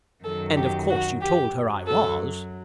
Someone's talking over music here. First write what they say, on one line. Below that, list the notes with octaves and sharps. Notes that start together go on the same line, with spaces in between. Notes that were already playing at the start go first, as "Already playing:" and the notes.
"And of course you told her I was."
F#2 D#3 F#3 A4
G4
F#4
G4
F#2 F#3
A4